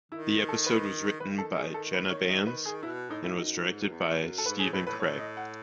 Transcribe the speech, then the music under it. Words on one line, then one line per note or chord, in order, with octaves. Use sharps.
The episode was written by Jenna Bans and was directed by Stephen Cragg.
D#3 E4
A4
B4
D#3 B4
A4
G#4
A4
B4
C#5
D#5
B4
G#4
B2 E4
A2 D#4
E4
F#2 D#4
G#2
F#2
E2
F#2
A4
G#2 B4
A2 G#4
A2 B4
A2 B4
A2 C#5
D#5
F#5